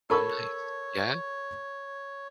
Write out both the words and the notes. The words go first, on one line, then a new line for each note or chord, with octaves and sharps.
Oh, nice. Yeah?
A4 A#4 C#5 A5 B5 C#6 E6